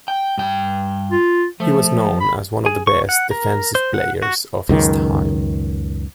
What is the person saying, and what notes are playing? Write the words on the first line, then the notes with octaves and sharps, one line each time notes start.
He was known as one of the best defensive players of his time.
G5
G2 G5
F4
F3 A3
B5
G#4
C#6
F#5
A#4
C5
F#5
F#4
C#2 F#2 D#3